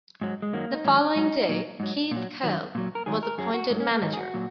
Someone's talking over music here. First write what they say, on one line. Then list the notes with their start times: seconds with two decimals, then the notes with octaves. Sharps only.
The following day Keith Curle was appointed manager.
0.21 G#2 F#3
0.42 G#3
0.53 F#2 D#3 F#3 A#3
0.74 D#4
0.84 G#2 D#3 F#3 C#4
1.16 G#2 F#3 D#4
1.49 A#2 F#3
1.80 G#2 F#3
2.11 A#2 F#3
2.43 F#2 D#3 F#3
2.75 A#2 F#3
2.95 A#4
3.06 G#2 D#3 F#3 G#4
3.23 A#4
3.38 F#2 F#3 G#4
3.54 F#4
3.70 G#2 F#3
3.80 C#4
3.91 A#3
4.01 G#2 D#3 F#3 D#4
4.13 G#4
4.17 F#4
4.34 A#2 F#3